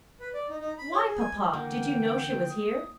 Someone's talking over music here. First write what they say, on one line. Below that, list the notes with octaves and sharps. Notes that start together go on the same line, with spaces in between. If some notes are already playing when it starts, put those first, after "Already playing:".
"Why, papa; did you know she was here?"
B4
D5
D#4
D#4
B5
C#5
G#4
G#5
D3 E3 A#3 F#5 G5
D#6